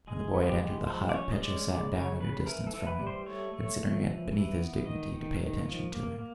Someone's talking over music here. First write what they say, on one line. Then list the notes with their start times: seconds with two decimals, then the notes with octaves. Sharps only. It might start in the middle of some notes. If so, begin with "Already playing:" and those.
When the boy had entered the hut, Petya sat down at a distance from him, considering it beneath his dignity to pay attention to him.
0.07 G#3 G#4
0.34 B3
0.47 G4
0.60 G#3
0.87 F3 C5
1.09 D5
1.14 C#4 C#5
1.32 D#5
1.41 G#3 D5
1.67 C#3 D5
1.93 C#3 C#5
2.20 C#3 B4
2.46 E3 A#4
2.67 A4
2.74 E3
2.87 B4
3.00 G3
3.07 C5
3.26 A3 C#5
3.53 A3
3.80 F3
4.06 E3
4.33 E3
4.60 B3
4.86 D#3 D#5
5.13 D#3
5.40 D#3
5.66 F3
5.92 A#3
6.19 A#3